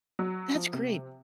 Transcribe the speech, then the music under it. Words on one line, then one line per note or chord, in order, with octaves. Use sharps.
That's great.
F#3
F3
C3